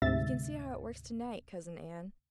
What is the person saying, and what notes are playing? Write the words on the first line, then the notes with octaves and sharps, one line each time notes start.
"You can see how it works to-night, Cousin Ann!"
D2 G#2 C3 E5 A6